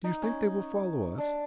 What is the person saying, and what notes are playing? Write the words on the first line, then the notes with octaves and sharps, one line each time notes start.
"Do you think they will follow us?"
D#4
C#4
D4